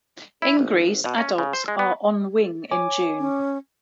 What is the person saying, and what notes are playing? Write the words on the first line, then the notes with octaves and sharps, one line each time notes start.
In Greece, adults are on wing in June.
E4
G#1
B2
C#4
C#3
C5
G#3
B3
C#5 G#5 D6
C#4